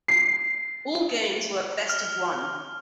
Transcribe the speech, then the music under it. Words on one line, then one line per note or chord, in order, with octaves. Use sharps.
All games were best-of-one.
C7
F6